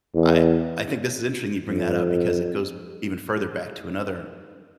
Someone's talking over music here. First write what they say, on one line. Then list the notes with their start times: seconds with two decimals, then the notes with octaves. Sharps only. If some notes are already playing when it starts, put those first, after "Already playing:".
I I think this is interesting you bring that up, because it goes even further back to another
0.14 E2
1.65 F2